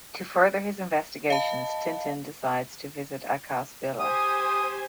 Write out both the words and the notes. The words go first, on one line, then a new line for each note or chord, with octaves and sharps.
To further his investigations, Tintin decides to visit Akass' villa.
D#5 F5 A5 B5
G4 C5 G#5 D#6